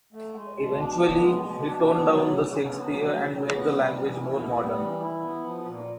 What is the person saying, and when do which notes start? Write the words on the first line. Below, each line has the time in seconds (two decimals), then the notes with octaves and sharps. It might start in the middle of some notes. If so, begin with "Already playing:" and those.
Eventually, he toned down the Shakespeare and made the language more modern.
0.13 A3
0.34 G#3
0.56 B2
0.77 D4
0.98 B3
1.20 G#3
1.40 B2
1.62 D4
1.83 B3
2.05 F#3
2.25 C#3
2.47 C#3
2.67 B3
2.89 F#3
3.11 C#3
3.32 C#3
3.53 B3
3.74 G3
3.96 E3
4.16 E4
4.37 B3
4.58 G3
4.80 E3
5.01 E4
5.23 B3
5.44 F3
5.65 A#2